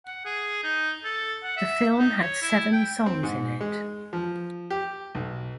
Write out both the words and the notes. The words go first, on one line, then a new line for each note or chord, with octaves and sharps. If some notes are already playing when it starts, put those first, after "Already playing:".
The film had seven songs in it.
F#5
G#4
D#4
A4
F#5
E5
D#4
C#5
E4
G5
C4
G#2
G#3
F3
G4
B1